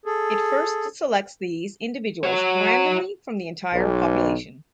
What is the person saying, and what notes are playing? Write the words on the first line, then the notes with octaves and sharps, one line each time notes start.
It first selects these individuals randomly from the entire population.
G#4 A4
F#4 C#5
B1